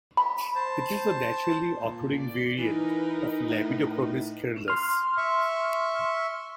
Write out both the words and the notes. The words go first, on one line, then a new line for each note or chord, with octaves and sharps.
It is a naturally occurring variant of "Labidochromis caeruleus".
B5
C5 A5
A#2
D5
E3 D#4 A#4 B4
A2
C6 F6
E5 C#6